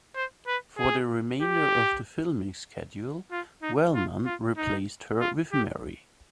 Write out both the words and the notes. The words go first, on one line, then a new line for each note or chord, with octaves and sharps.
For the remainder of the filming schedule, Wellman replaced her with Mary.
C5
B4
G#4
G4
F4
D#4
F4
F4
D#4
F4
G4